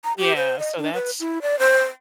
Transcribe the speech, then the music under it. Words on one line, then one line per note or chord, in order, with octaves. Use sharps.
Yeah, so, that's,
A#5
G4
C5
D#5
D4
B4
E4
D5
C5